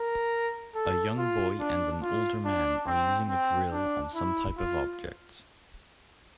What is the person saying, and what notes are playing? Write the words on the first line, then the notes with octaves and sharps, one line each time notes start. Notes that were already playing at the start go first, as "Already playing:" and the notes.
A young boy and an older man are using a drill on some type of object.
Already playing: A#4
A4
F4
D4
F4
D4
C4
C4
D4
E4
F4